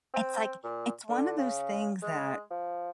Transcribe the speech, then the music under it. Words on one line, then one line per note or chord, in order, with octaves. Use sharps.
It's like it's one of those things that,
C4
A#2
D3
C#3
G#3
F3